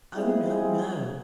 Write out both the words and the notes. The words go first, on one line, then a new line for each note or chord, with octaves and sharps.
O no, no.
G#3 C4 E4 F4 G#4